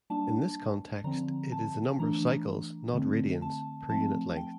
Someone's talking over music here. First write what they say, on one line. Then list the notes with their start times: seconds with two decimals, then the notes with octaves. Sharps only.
In this context, it is the number of "cycles"-not radians-per unit length.
0.10 G3 A#3 D4 A5
1.04 D3 F3 C4 A#5
1.52 A5
1.99 E3 A3 D4 A#5
2.94 D3 A3 C4
3.42 A5
3.89 F3 A3 C4 A5
4.37 G5